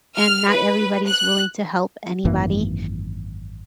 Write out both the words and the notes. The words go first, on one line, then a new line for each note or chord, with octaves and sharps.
and not everybody's willing to help anybody
F6
B4
F#6
G#1 F#2 E3 A#3